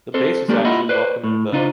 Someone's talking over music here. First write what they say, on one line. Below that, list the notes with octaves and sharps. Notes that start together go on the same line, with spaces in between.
The base is actually welcoming the.
C4 A4 C5
G#3 A#3 D4 G4 A4
A#3 E4 F4 D#5 F#5
B4 C5 D5
A2
C#3 D4 D#4 F4 C5